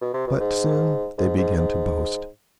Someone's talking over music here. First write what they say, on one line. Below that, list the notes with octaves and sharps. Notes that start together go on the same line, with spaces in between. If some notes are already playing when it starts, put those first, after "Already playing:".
But soon they began to boast.
B2
C3
B2
G#2
G#2
G#2
G#2